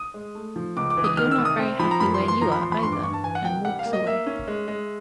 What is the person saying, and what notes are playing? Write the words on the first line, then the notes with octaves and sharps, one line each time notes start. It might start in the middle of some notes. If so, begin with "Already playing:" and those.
But you're not very happy where you are, either, and walks away.
Already playing: D#6
G#3
A3
F3
C#2 D6
D6
E3
D#6
D#3 F6
E6
C2
D#6
C4
F3 B5
A#5
F#2 B5
C6
E3
C6
F3 A#5
B5
E2 C6
B5
C#6
G2 C6
D6
G2 C#6
A5
E3 G#5
F#5
C2 G5
G3 F#5
F5
A#3
D#5
A#3 E5
C#4
G#3
G#3